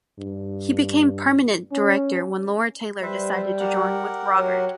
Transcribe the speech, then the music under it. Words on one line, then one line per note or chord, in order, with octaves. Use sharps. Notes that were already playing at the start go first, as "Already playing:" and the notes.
He became permanent director when Laura Taylor decided to join with Robert.
G2
C#4
G3 B4 C5 E5
G4 A#4 F#5
F#3